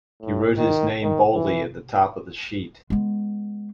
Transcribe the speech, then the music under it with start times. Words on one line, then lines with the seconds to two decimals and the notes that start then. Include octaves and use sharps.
He wrote his name boldly at the top of the sheet.
0.22 A2
0.57 D#3
1.02 D#3
1.33 E3
2.90 G#3 B3